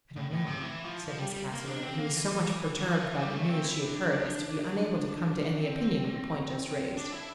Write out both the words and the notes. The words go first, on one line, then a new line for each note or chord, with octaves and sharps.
"I don't know," said Miss Cassewary, who was so much perturbed by the news she had heard as to be unable to come to any opinion on the point just raised.
A2
A2
C3
E3
F3
F3
G3
G3
A#3
D4
C4
A#3
E3
E3
D3
E3
F3
E3
G3
A3
C4
E4
D4
C4
D4
E4